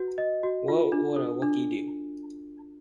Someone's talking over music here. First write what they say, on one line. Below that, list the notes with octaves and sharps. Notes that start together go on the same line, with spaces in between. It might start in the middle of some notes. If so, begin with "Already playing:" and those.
What Would A Wookie Do?
Already playing: F#4 B4
D#5
F#4
F4
D4
A4
D4